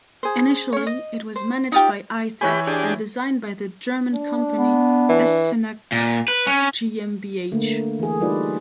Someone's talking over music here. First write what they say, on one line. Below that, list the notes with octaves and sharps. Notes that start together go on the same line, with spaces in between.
Initially it was managed by Eyetech and designed by the German company Escena GmbH.
G#4 C5
C#4 C#5
D#5
C5
D#4 F4 G4
E3 G4 C#5 G#5 B5
D4 G4 G#4
D4
B3
E3
A#2
B4
C#4
D3 A3 A#3 B4
E3 G#4
G3 D#4 F4 B4 D5